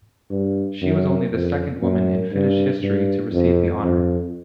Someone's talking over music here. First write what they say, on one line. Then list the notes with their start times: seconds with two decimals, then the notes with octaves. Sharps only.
She was only the second woman in Finnish history to receive the honour.
0.31 G2
0.82 F#2
1.32 F2
1.82 F#2
2.33 G2
2.83 G2
3.33 F2
3.83 F2